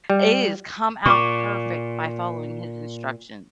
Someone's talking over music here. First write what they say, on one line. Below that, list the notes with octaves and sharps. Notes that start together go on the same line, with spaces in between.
it has come out perfect by following his instructions.
G3
A#2 C#6 D6